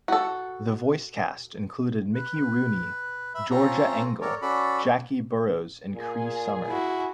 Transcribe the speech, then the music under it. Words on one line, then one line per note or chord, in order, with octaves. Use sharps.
The voice cast included Mickey Rooney, Georgia Engel, Jackie Burroughs and Cree Summer.
F#4 A4
B4
E5 B5
C4 C#4 F4 A4 A#5
A4 A#4 C#5 D5
C#4 F#4 A4 D5 B5
A#2 G#4
E4 F#4